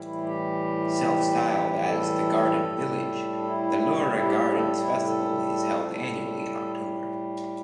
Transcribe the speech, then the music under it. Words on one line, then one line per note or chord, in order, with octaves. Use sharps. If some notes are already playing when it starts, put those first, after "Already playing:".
Self-styled as "the Garden Village", the Leura Gardens Festival is held annually in October.
Already playing: A2 E3 G3 E4
G4
A4
A2 G3
D4
E4
A4
G4
A4
E4
G4
A4
A2 G3